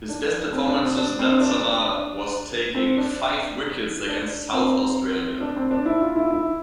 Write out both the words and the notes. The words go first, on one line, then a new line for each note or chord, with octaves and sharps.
His best performances that summer was taking five wickets against South Australia.
D4
C4
D4
C4
D4
C4
D4
D4
C4
D4
D4
C4
D4
C4
D4
E4
F4
E4
E4